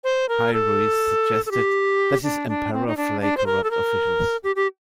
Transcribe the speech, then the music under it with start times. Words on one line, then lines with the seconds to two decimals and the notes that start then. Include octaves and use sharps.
Hai Rui suggested that his emperor flay corrupt officials.
0.04 C5
0.29 A#4
0.53 A4
1.46 A4
1.51 G4
2.23 D4
2.49 D4
2.73 C4
2.87 D#4
2.97 D4
3.21 D4
3.37 C5
3.46 A#4
3.64 A4
3.71 A#4
4.44 G4
4.56 G4